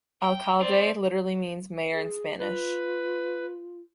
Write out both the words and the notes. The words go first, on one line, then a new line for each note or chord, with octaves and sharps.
"Alcalde" literally means "Mayor" in Spanish.
G5
C4 D5
G#4
F4 B4